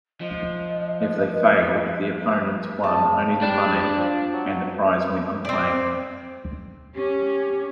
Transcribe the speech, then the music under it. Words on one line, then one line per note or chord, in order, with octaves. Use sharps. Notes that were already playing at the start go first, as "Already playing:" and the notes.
If they failed, the opponents won only the money and the prize went unclaimed.
F3 D#5
C#3 A5
G3 D4
F3
F#3
C4 D5
C#4 G4